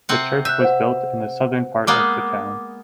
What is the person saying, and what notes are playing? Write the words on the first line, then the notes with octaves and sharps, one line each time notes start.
The church was built in the southern part of the town.
C3 C4 F#5
E5 F#6 G6
C5 F#5
G#3 A#3 B3 D6